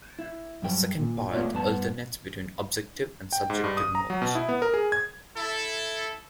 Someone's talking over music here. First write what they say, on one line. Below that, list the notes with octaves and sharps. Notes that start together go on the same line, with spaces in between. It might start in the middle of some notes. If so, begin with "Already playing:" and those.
The second part alternates between objective and subjective modes.
E4
G2 F#3 G5
A#2
A3 B3 F4 C#5 D5
G2 B3 A5
G5
G#2
G2
D#6
A#5
F#3
B2
E4
B3
A#4
G#4
G#6
E4 A4